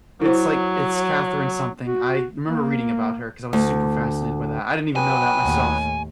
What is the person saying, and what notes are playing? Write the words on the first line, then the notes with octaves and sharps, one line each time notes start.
It's, like, it's Catherine something, I remember reading about her because I was super fascinated by that, I didn't even know that myself
F#3 E4 C5
F#4
A#3
D2
F#3 B3 B4 G5 G#5
D#2 A2 A3